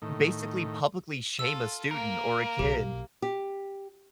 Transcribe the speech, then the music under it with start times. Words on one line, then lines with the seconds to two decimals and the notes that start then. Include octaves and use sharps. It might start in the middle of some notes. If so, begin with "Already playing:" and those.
basically publicly shame a student or a kid
0.02 A2 D#3
1.39 F4 A4 E6
1.91 A#3 A#4
2.59 B1 G4
3.22 G4